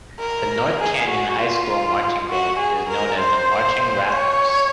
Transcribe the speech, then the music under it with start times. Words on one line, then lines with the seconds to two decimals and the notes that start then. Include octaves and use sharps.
The North Canyon High School Marching Band is known as the Marching Rattlers.
0.19 A#4
0.80 G#4
1.09 F#4
1.39 F4
2.29 F#4
2.59 G#4
2.89 A#4
3.19 C5
4.10 C#5